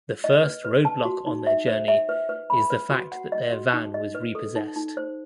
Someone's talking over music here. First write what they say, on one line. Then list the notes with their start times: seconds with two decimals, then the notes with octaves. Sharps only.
The first roadblock on their journey is the fact that their van was repossessed.
0.24 D#5
0.44 B4
0.65 B4
0.85 A5
1.05 F#4
1.26 D#4
1.47 E5
1.67 C5
1.88 E5
2.09 B4
2.29 B4
2.50 B5
2.70 B4
2.90 F#4
3.12 F#5
3.32 D#5
3.52 F#4
3.73 D#4
3.94 D#5
4.15 B4
4.35 A4
4.56 D#4
4.76 D#4
4.97 C5